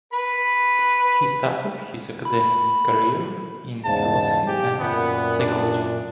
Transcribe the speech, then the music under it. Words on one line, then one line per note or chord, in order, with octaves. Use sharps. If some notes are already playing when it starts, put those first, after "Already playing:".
He started his academic career in philosophy and psychology.
B4 B5
B5
E2 G#2 C#3 A5
G4 G#5
F#2 A#2 B3
D4